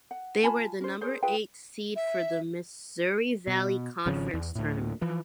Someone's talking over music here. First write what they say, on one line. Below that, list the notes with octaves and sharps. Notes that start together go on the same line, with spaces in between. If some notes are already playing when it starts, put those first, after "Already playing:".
They were the number eight seed for the Missouri Valley Conference Tournament.
F#5
F4 G#5 A5 B5
C#4 C5
G#4 A#4 C5 C#5
F4 G#4 B4 G5
E5
B2
G#1 C#3 F3 C#4
E2
D2 A2
E3 F3